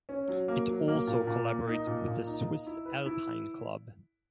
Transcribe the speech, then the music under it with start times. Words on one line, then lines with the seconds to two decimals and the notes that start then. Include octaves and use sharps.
It also collaborates with the Swiss Alpine Club.
0.09 C#4
0.28 F#3
0.48 A#3
0.69 F#3
0.88 A#3
1.07 A#2
1.27 A#2
1.48 A#3
1.68 D#4
1.87 A#2
2.07 A#2
2.27 D#4
2.46 D#4
2.67 E4
2.86 B4
3.06 E4